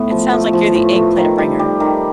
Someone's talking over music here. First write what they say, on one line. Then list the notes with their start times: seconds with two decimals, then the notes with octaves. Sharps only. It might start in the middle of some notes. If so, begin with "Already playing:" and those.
It sounds like you're the eggplant bringer.
Already playing: A2 B3
0.11 F3
0.32 A3
0.53 F3
0.75 A2
0.95 A3
1.17 D#3
1.38 G3
1.59 G3
1.80 D#3